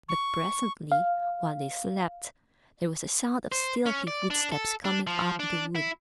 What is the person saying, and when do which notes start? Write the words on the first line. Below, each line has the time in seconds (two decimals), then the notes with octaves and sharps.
But presently while they slept there was a sound of stealthy footsteps coming up the wood.
0.09 C#6
0.92 F5
3.52 C5
3.86 C#4
4.07 D5
4.30 D4
4.52 A4
4.85 D4
5.07 F3
5.40 D4
5.76 E4